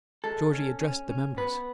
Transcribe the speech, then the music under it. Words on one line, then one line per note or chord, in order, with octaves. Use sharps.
Georgie addressed the members.
G#3 A4
C#4
C#4
C#4
B3 B4